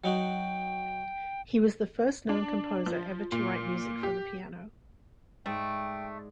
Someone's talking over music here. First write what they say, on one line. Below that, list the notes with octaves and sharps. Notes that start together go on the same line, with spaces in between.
He was the first known composer ever to write music for the piano.
F#3 D#4 F#4 G5
D4
F3
A#2
G4
G#2 G#3 A3 D5 G5